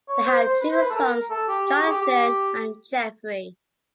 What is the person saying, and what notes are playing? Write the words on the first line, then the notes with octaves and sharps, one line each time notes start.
They had two sons Jonathan and Jeffrey.
C#5
C5
C5
B4
C5
B4
A4
A#4
A4
G4
G4
F#4
G#4
G4
G4